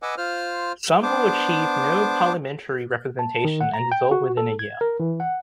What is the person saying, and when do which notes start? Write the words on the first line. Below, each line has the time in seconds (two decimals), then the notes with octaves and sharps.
Some will achieve no parliamentary representation and dissolve within a year.
0.02 B4 D#5 F#5 G#5 D6 E6
0.18 F4 C5 F6
1.03 B3 D4 C5 D6
3.19 A5
3.45 D#3
3.61 F#5
3.74 A#5
3.92 G5
4.11 F#4
4.37 A4
4.59 G#6
4.81 A#4
5.00 E3
5.20 F#5